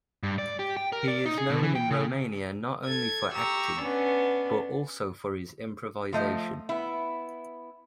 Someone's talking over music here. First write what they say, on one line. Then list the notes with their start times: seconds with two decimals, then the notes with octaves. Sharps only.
He is known in Romania not only for acting, but also for his improvisation.
0.23 G2
0.38 D5
0.59 G4
0.77 G5
0.92 A#4
1.08 D5
1.26 D#4
1.38 G#4
1.50 B2
1.63 E3
1.75 G5
1.91 C#3
2.84 A4 G#6
3.32 G4 A#5 C#6 E6
3.78 B3 C#4 D4
6.13 F3 A3 D#5
6.69 B3 E4